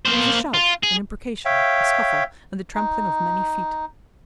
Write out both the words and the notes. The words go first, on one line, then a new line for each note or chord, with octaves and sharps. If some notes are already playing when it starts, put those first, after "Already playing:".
There was a shout, an imprecation, a scuffle, and the trampling of many feet.
A#3 C5
F4
G#4
C#5 E5 F5 G5
D#4